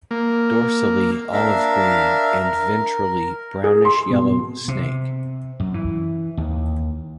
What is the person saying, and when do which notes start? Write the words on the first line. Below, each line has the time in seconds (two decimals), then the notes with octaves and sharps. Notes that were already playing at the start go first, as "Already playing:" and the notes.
Dorsally olive green and ventrally brownish yellow snake.
0.11 A#3
1.32 D4 A#4 E5 F5
2.42 A#4
3.64 G#4
3.85 C6
4.10 B2
4.68 C3
5.60 F#2
5.74 E3
6.37 D#2